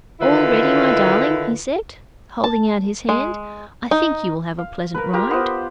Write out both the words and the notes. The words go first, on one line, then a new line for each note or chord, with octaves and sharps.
"All ready, my darling?" he said, holding out his hand; "I think you will have a pleasant ride."
D3 D#3 E4 F4 B4
A5
G#3
D#4
F5
A#4 B4
F4 G4 A#4
B3 C5